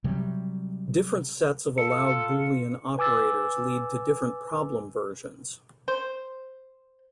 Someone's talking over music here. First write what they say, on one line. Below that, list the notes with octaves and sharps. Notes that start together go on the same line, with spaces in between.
Different sets of allowed boolean operators lead to different problem versions.
C3 F#3 G3
F4 A4 C#7
B4 G#5 D6 E6 A6
C5